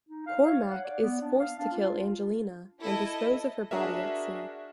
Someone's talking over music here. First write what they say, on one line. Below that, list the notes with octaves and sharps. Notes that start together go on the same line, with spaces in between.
Cormac is forced to kill Angelina and dispose of her body at sea.
D#4
F5
C#5
F#5
D5
B3
D4
F5
D4
F4
E4 A4 D#5 A5
D4 F#4 G#4 A#4 E5